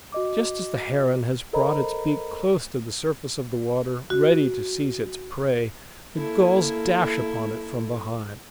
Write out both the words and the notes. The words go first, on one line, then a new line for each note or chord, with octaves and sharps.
Just as the heron has brought its beak close to the surface of the water, ready to seize its prey, the gulls dash upon it from behind.
F#4 D#5 D6
A4 A#4 C5 D#5 A#5 B5
F#4
A#3 E4 A4